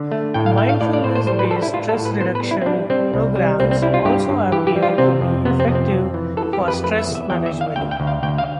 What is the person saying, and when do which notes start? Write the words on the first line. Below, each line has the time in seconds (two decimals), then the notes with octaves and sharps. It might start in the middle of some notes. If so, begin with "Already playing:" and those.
Mindfulness based stress reduction programs also appear to be effective for stress management.
Already playing: D3
0.12 A3
0.34 A2 G5
0.46 F5
0.58 A3 G5
0.69 F5
0.81 A2 D5
0.93 D5
1.04 A2 C5
1.15 C5
1.27 G3 C5
1.39 B4
1.50 G3 A4
1.62 E4
1.73 A2 F4
1.89 A4
1.97 A2
2.05 B4
2.20 B3 C5
2.35 B4
2.43 G3
2.51 E4
2.62 C4
2.66 G3 D4
2.90 G3 C4
3.14 C2
3.36 G3
3.60 C2 C4
3.71 C4
3.82 G3 E4
3.94 F4
4.05 G2 G4
4.29 G2
4.52 E3 G4
4.67 G4
4.76 G3
4.83 F4
4.98 C3 C4
5.21 F2
5.45 C3 B3
5.60 C4
5.68 F2
5.75 C4
5.91 F2
6.14 E3
6.37 E3 A4
6.53 G4
6.61 F2
6.68 B4
6.84 A3 B4
6.99 E5
7.06 E2
7.15 E5
7.30 E2 G5
7.46 E5
7.54 E2
7.61 F5
7.76 D2 G5
7.91 G5
8.00 D2
8.07 F5
8.23 D2 G5
8.38 F5